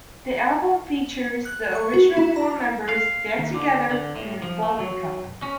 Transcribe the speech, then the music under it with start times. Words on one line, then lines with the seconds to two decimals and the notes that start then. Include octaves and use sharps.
The album features the original four members back together and in full make-up.
1.45 F#6
1.75 C#6
1.94 F#4
2.17 E4
2.36 A#5
2.89 F5
3.38 D#2
3.54 D3
3.91 D3
4.16 A2
4.42 F3
4.63 A3
4.79 F#3
5.42 C#4